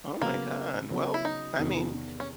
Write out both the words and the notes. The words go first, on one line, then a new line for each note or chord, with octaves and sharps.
Oh my God. Well, I mean,
C#3 F#3 A#3 B3
C#3 F#3 B3
E4
D#4
E2 C3 D#3
C#4